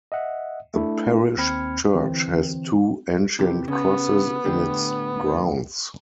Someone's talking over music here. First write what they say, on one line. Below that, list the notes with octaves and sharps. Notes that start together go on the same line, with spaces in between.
The parish church has two ancient crosses in its grounds.
D#5 E5 F#5
A3 D4 E4
D#2 C4 B5 F6 G#6 C#7
D3 E3 C4
C3 E3 G4
C#3 B3
A2 D3 G4